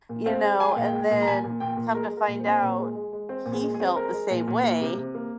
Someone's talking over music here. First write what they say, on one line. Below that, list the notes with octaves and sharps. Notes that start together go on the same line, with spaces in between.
you know? And then come to find out, he felt the same way,
A#2
C4 F5
G#3
G#3 G#5
G5
A#2 F5
G5
G#3
A#2
A#5
A#2 G#5
A#2
A#2 G5
A#2
G#3 A#4
G#3
A#4
A#2
C5
C4
A#2
G#3
G#3
G#3
C4 C5
A#2
G#4
G#3
G#4
C4
G#3 A#4
G#3
A#2
A#2
A#3
C3
C3
A#3